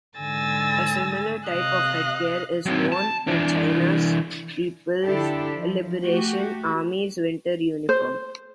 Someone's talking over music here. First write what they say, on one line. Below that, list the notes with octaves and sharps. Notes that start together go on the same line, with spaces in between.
A similar type of headgear is worn in China's People's Liberation Army's winter uniform.
G#2 D3 G#5 E6 A6 A#6
C3 D#5 F5 F#6
F#3 C4
A5
E3 D4
D3 D4 E4 G4 A4
F3
A3 F#4 G4
C5